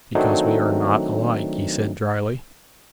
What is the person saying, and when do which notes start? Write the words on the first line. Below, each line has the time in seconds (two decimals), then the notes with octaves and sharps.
"Because we are not alike," he said drily.
0.15 D#3 F#3 A3 C4 D4 D#4